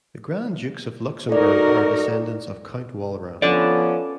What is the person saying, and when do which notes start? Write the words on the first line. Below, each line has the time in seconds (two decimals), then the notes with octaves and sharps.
The Grand Dukes of Luxemburg are descendants of count Walram.
1.29 D#4 F#4 A4 A#4 D5
3.42 F3 B3 C#4 A4 D5